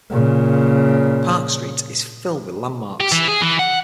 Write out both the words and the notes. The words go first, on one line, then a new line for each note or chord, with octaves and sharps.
Park Street is filled with landmarks.
A#2 C#3
G4
E3
G#4
E3
F#5